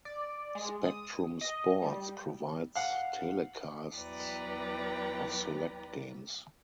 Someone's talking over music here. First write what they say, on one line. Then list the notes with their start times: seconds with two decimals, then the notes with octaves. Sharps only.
Spectrum Sports provides telecasts of select games.
0.05 D5
0.55 G#3
0.83 D#6
1.41 D#5
1.82 G3
2.76 F5 F#5
3.95 E2 F#3 B4 D5 G5 A#5